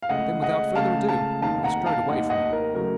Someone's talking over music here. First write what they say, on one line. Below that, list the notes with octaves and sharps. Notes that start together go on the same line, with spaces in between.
Then, without further ado, he strode away from him.
F5
C#2 C#3 A3 D#5 F#5
D#5 F#5
C#2 C#3 A3 F5 A5
F5 A5
F1 D#2 D#3 F5 A5
F#5 A#5
F5 A5
F1 D#2 D#3 D#5 F#5
D#5 F#5
A#4
C#3 F#3 A3 A#4